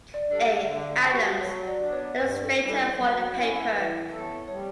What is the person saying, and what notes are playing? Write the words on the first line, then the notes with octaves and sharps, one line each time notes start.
A. Adams, illustrator for the paper.
D5
G3 D4 A4
F#5
D3 E5
G3 D4 F#4 F#5 A5
F#3 C#5
D5
B3 D4
C#5
G2 B4
A4
E3 G3
A4
F#3
C#4 E4
E3 B4
B3 E4 A4 C#5
G3 C#5